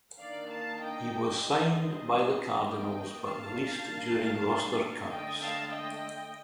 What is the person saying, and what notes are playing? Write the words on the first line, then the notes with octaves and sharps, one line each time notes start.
He was signed by the Cardinals but released during roster cuts.
D#3 A#3 D4 D5 F5
F5 A5
D#5 G5
G3 D4 C5 D#5
D#3 G3 A#3 D4 D#5 G5
F5 A5
D#3 G3 A#3 D4
D3 A3 D4 D#5 G5
F5 A5
D#5 G5